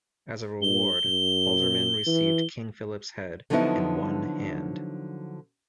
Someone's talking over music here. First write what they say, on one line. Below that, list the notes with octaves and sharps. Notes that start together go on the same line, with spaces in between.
As a reward, Alderman received King Philip's head and one hand.
G2 G7
F#2
E3
D3 F3 F#3 B3 D#4 E4